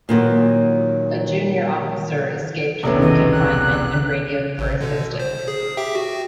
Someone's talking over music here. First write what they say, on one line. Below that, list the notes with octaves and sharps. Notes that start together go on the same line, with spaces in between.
A junior officer escaped from confinement and radioed for assistance.
A#2 D#3 F#3 A#3
E1 C2 B3 C#4 A4
D#5
F#6
A1
B2 D3
C5
G#4
G4 E5 G5
F#4